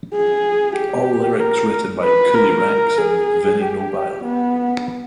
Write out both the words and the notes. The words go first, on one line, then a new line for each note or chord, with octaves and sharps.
All lyrics written by Coolie Ranx and Vinnie Nobile.
G#4
G4
A#4
B4
A#4
G#4
G4
B3